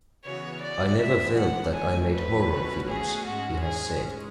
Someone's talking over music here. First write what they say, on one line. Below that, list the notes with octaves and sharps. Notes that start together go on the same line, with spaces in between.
I never felt that I made 'horror films', he has said.
C#3 E3 B3 F#4 C#5
D5
E3 G#3 B3 D4 E5
F#5
E2 D3 A3 G#5
B4
B2 A3 C#4 F#4
G#4
G#2 G#3 C#4 F#4
G#4